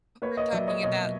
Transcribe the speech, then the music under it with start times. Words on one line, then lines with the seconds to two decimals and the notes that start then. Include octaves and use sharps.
we're talking about,
0.22 A#3 B4 C#5
0.37 C#5 D#5
0.53 F#3 D5 E5
0.68 C#5 D#5
0.83 B2 C#5 D#5